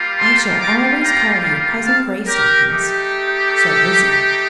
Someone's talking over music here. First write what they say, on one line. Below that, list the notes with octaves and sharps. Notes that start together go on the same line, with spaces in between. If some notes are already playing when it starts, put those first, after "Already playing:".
"I shall always call you Cousin Greystockings," said Lizzie.
Already playing: G3 A#3 F4
A5 C6
A#5 D6
G5 A#5
F5 A5
G4 A#4
A3 D#4 G4
A4